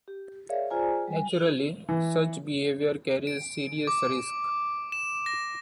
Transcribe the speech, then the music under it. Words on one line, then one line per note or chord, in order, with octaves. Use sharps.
Naturally, such behavior carries serious risk.
G4
G#4 A#4 C#5 D5 E5 F5
F4 G#4 C5 D5 G#5 A#5
G3 G#5
E3
D7
D6
E7
A#6